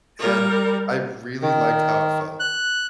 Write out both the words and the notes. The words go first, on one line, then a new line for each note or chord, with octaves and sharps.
and I really liked how it felt.
G3 A#4
D#3
F#6